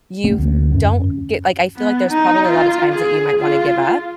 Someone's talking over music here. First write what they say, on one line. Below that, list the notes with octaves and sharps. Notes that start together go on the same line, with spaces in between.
you don't get like, I feel like there's probably a lot of times that you might wanna give up
A3 A#3 C4 C#4
D2
F#2 C#4
B3
D#4
F4
G#4
F4